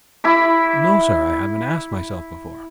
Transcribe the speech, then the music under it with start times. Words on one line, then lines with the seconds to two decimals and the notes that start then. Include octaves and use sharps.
"No, sir, I haven't asked myself before."
0.24 E4 B5 D6